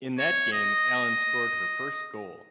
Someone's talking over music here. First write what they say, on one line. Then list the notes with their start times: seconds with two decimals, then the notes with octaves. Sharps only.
In that game Allan scored her first goal.
0.19 C#5
0.53 D#5